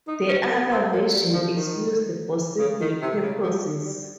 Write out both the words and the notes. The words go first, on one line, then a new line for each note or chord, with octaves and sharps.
The other version is used for civil purposes.
D#4
C#4
A#3
C4
A#3
G3
F3
D#3
C#3
D#3
C3
C#3
F3
G3